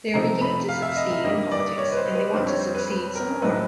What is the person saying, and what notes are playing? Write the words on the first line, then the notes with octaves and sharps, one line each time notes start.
They are beginning to succeed in politics and they want to succeed some more.
C3 F3 A3 C4 D#4 A#5
B5
F5
E5
D#5
E5
G2 D#3 G3 A#3 D#5
D5
C#5
B4
C5
B4
F2 D3 G3 C4 D#4 C5
C#5
C5
B4
B4
A#4
A2 F#3 A3 C4 D#4 B4